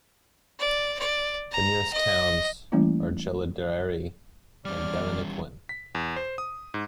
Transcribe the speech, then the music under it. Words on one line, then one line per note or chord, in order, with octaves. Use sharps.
The nearest towns are Jerilderie and Deniliquin.
D5
D5
A#5
D#5
E3 G3 A3 A#3 C#4 E4
E2 G3 C#4 D5 F6
B6
E2
C5
D#6
G#2